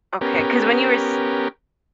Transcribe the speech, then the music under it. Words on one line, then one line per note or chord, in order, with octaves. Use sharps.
Okay, 'cause when you were s
B3 C#4 G4 A#4